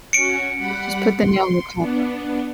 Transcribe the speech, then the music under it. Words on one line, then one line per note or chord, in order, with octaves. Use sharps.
W just put the nail in collar.
C#4 F#4 C#7 D7
G3 F#5 B5
C6
B3 D4